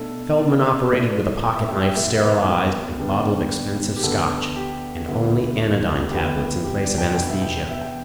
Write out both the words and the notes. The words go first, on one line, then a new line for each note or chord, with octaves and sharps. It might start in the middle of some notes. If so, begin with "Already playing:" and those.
Feldman operated with a pocketknife sterilized in a bottle of expensive Scotch and only anodyne tablets in place of anesthesia.
Already playing: B2 A3 D4 A4
D5
A2 A3 E4 D5
G5
E5
E5
G5
E2 B2 A3 E4 E5
E5
B4
B4
G4
G2 D3 G3 B3 D4
G4
D2 D3 B3 D4 A4
G4
D2 D3 B3 E4
D2 D3 B3 E4 G4
G4
D5
G5
E2 B2 B3 D4 G5
E5
G5
E5
G5